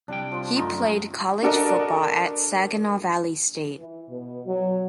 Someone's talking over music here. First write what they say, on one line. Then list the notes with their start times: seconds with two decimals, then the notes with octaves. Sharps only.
He played college football at Saginaw Valley State.
0.08 C2 G3 D4 G5
0.32 F3 C6
0.56 F#2 A3 D#4 F4
1.43 D4 F#4 A4 A#4 D5 D#5
3.78 E3
4.10 B2
4.47 F#3